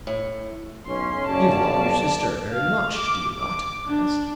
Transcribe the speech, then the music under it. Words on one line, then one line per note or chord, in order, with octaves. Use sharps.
"You love your sister very much, do you not?" I asked.
A2
B1 C#4 C6
F#1 D5 A5
F5
D6
D6
D4